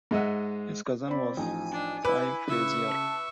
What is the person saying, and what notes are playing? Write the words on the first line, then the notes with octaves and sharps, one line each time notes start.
His cousin was Cie Frazier.
G#2 G#3 D#5 E5 F#5
C4 D5 B5
A1 F3 D#4 G#5
D4
E4 B4 D6
C#3 E4 E5 C#6
A5